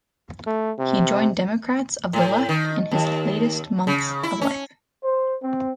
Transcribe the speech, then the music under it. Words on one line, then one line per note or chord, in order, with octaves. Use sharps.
He joined Democrats of the Left in his latest months of life.
A3
C3
A2
D#3
D#2
C#3
E4
C#4
C5
C4